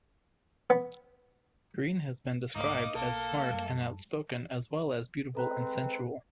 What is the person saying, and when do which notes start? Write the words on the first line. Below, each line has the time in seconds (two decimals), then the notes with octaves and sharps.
Greene has been described as smart and outspoken as well as beautiful and sensual.
0.70 B3
2.56 C#2 G#2 A3 A#3 D#4 D6
2.95 B1 A#3 A4
3.50 F#2 G3
5.35 G#3 C4 A4 B4 A#5 F#6